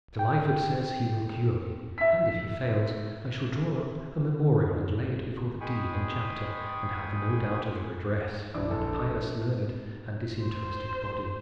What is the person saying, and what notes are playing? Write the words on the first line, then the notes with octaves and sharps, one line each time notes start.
Mr. Lyford says he will cure me, and if he fails, I shall draw up a memorial and lay it before the Dean and Chapter, and have no doubt of redress from that pious, learned, and disinterested body.
G5
E5 B6
G#3 G#4 G5 B5 C#6 D#6
A#1 D4 E4 D6
A#1 A4
C5